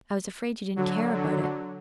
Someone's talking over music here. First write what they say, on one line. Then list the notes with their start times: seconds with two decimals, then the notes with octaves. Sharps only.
"I was afraid you didn't care about it."
0.76 D3 F#3
1.14 D3 F#3